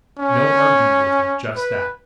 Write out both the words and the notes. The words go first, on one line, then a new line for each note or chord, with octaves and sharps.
No argument with her--just that.
C#4
B4